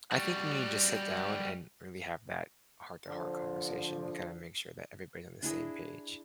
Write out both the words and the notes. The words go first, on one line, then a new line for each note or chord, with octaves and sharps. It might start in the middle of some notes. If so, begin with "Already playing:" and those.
I think you need to sit down and really have that heart-to-heart conversation and kinda make sure that everybody on the same page.
G3 F#4
D3 F3
D4 E4 G#4 D#5